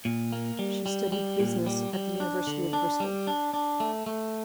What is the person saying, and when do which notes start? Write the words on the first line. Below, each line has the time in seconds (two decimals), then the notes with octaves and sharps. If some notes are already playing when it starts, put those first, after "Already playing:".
She studied business at the University of Bristol.
0.05 A#2
0.32 A#3
0.59 G3
0.86 G3
1.12 G3
1.40 A#2
1.66 G3
1.93 G3
2.20 D4
2.47 D3
2.73 D4
3.00 G3
3.27 D4
3.54 D4
3.80 A3
4.06 A3